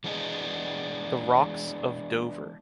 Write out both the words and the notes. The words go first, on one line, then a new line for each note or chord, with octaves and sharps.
The rocks of Dover.
E3 G#3 B3 D4 G#4 D#5